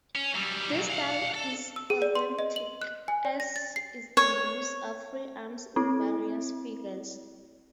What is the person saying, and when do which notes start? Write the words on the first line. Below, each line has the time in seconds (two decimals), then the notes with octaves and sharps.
This style is authentic, as is the use of free arms in various figures.
0.15 C#4
0.35 F#3 G3
0.72 A#2 F#3
0.89 F5 F#5
1.34 A4
1.76 E6
1.90 G#4
2.02 D5
2.15 C6
2.39 D#5
2.56 F#7
2.82 F#6
3.08 G#5
3.25 D5
3.40 A#6
3.56 A6
3.76 C7
4.17 C#5
5.76 C4 E4